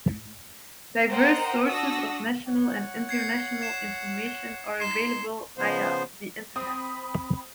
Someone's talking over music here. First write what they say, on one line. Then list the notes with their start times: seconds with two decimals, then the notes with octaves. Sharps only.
Diverse sources of national and international information are available via the Internet.
1.09 A#4 C5 D#5 F#5 G5 A#5
1.67 D4 F#4 F#5 D#6 E6 A#6
2.47 C#5 F#5
3.09 G#6 C7 C#7
3.61 G#6 C7 E7
4.80 D#4 C6 C7 E7
5.58 C#3 F3 B3 C5
6.56 C4 B5 D#6